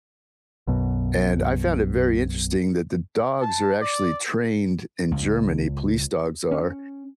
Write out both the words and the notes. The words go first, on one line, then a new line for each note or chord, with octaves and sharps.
and I found it very interesting that the dogs are actually trained in Germany- police dogs are
B1 F#2 B2
A5
D5
C#2
C#4